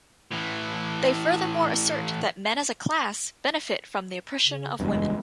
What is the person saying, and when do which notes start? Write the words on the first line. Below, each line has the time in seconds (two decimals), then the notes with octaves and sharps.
They furthermore assert that men as a class, benefit from the oppression of women.
0.31 A2 E3
4.42 C#3
4.80 F#1 E2 G2 G#3